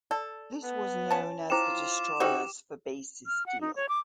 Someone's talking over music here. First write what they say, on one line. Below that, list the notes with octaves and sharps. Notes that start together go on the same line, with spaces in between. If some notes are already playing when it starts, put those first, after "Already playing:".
This was known as the destroyers for bases deal.
A4 D5
B3
C#4 A5
E4 F4 C5 G5 D6 E7
C4 D#4 F#4 G4 B4 G5
F6
F#5
D#4
C#5
D6